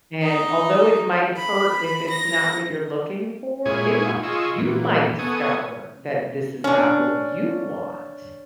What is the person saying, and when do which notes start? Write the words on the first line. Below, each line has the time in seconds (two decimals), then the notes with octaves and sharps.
And although it might hurt if it's not what you're looking for, it might you might discover that this is not what you want.
0.22 D#4
1.36 B5
2.09 A#6
3.66 A#2 G#3 E4 G#4 G#5 C#6
4.23 F4 G#4 D#5 C#6 E6
4.58 A#2 E3
5.19 B3 A4 G#5 C#6 D#6
6.64 C#4 D4